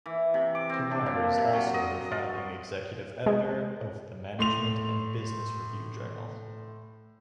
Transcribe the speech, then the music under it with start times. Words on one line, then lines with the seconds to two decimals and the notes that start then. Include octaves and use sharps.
Kumar is also the Founding Executive Editor of the Management and Business Review journal.
0.06 E3
0.34 C3
0.55 D6
0.69 C4
0.91 D4
1.06 A#2
1.38 C3
1.53 F#3
1.74 D#5
2.11 F4
3.26 G#3
4.39 A2 C6 F7